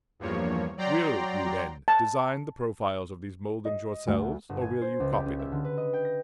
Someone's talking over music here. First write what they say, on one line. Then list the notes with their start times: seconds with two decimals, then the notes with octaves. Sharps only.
Will, you, then, design the profiles of these mouldings yourselves, or will you copy them?
0.19 E2 G2 F3 A#3 C#5
0.77 F#3 D5 G5 A#5 C6
1.88 A5
3.65 D#5
4.07 D2
4.49 G1
4.61 G#5
4.81 C5
5.00 C#2
5.12 G4
5.26 C#4
5.39 E5
5.52 D3
5.64 B4
5.77 D#5
5.93 G5
6.05 A#6